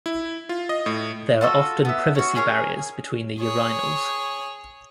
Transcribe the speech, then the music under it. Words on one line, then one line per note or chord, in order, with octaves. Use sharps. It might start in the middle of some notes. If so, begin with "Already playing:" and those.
There are often privacy barriers between the urinals.
E4
F4
D#5
A2
F4 F#4 A4
B3 E5
C#4 F#4
C#4 G#4 A#4 C#5
G#4 C#5